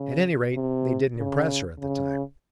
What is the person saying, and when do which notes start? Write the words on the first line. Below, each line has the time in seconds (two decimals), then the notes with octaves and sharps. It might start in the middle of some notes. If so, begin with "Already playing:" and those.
At any rate, they didn't impress her at the time.
Already playing: C#3
0.55 C3
1.17 C#3
1.79 C#3